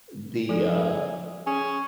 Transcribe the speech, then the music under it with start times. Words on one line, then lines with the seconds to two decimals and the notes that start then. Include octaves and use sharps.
the, uh,
0.49 F3 G#4 A4 D5
1.47 C#4 G#4